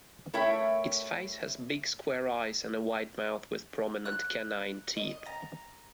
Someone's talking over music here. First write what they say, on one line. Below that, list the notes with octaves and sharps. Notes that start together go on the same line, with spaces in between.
Its face has big square eyes and a wide mouth with prominent canine teeth.
A3 E4 A#4 C#5 E5 G5
F#6
D#5
A#5